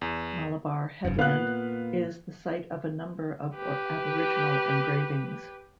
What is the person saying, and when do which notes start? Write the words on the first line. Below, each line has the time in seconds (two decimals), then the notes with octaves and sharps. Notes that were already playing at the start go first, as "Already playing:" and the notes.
Malabar Headland is the site of a number of Aboriginal engravings.
0.01 E2
1.05 F1 F#2
1.19 A#2 B3 F5 F#6
3.56 G4 B4